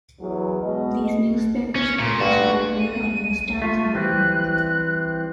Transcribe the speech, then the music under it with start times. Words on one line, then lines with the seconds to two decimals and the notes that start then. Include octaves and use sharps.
These newspapers previously appeared on newsstands in the evening.
0.19 E2 F#3
0.63 B2 G#3 B3 D#5
1.76 C#4
1.99 A#2
2.20 G2 F#4
2.79 D#7
3.62 A3 F4 C#6
3.94 E3 G3 C4 F#6